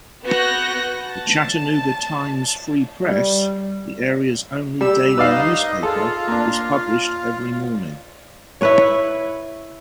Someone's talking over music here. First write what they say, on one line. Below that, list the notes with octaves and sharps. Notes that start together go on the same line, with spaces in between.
The "Chattanooga Times Free Press", the area's only daily newspaper, is published every morning.
B3 F#4 F#6 G6 A#6
A5
G3
G3 E6
D#4 B4 D5 F5
F4 G#4 A4
A#3 D4
E4 B4 C#5